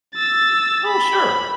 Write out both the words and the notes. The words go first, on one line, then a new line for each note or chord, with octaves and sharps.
Well, sure.
E6 A6
B5